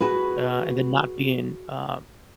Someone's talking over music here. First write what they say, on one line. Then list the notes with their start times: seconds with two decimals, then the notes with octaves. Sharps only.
uh, and then not being, uh
0.01 F#4 G#4 B4